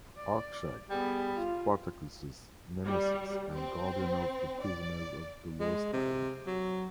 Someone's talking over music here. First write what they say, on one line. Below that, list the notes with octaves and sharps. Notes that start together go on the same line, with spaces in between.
Arkshag: Spartakus' nemesis and guardian of the Prisoners of the Lost Time.
D5
G3 B3 G#4
F4
G3
C4
D5
G#3
C3
F#3